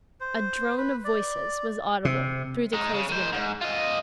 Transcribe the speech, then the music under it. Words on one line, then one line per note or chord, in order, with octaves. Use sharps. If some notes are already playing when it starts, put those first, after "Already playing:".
A drone of voices was audible through the closed window.
C5
B4
D5
C3
G#3 D#4
C#3
D#3 C5
G#2
F4 D#5